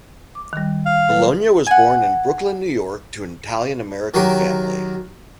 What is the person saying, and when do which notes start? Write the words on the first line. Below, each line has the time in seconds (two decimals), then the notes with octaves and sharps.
Bologna was born in Brooklyn, New York to an Italian-American family.
0.35 D6
0.53 D#3 G3
0.86 F5
1.09 F#3 B4
1.67 F#5 G#5
4.14 D#3 F#3 F#4 G4 A#4